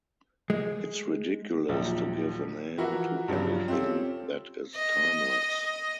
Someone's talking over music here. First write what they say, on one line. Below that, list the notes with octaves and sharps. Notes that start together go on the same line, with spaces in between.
It's ridiculous to give a name to anything that is timeless.
G#3
A#1 D#2 F3 F#3
E3 F3 E4 F#4 A#4
G2 C#3 F3 F#3
C4 C#4 F4 G4 A4
D#5